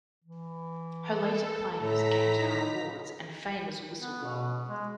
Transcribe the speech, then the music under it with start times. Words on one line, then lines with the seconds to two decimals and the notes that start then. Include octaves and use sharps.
Her later claims gained her awards and fame as a whistleblower.
0.24 E3
1.04 A4
1.78 A2 A3 A#5 B6
2.38 D#4
3.98 B3
4.23 B2
4.67 G#3